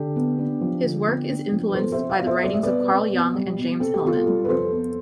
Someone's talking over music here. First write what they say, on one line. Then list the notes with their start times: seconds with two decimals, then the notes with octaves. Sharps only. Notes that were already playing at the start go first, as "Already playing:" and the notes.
His work is influenced by the writings of Carl Jung and James Hillman.
Already playing: D3 G4
0.16 B3
0.38 D4
0.61 F3
0.84 D3
1.07 B3
1.29 D4
1.52 F3
1.69 B4
1.75 B2 A4 C5
1.92 C5 E5
1.98 C4
2.09 D5 F5
2.20 B2
2.26 C5 E5
2.44 G3 D5
2.53 E5
2.63 B2 B4 D5
2.90 C4
3.13 B2
3.35 G3
3.58 B2
3.80 C4 A4
3.94 G4
4.03 B2 F4 A4
4.26 G3
4.45 B4
4.49 F2 A4 C5
4.72 B3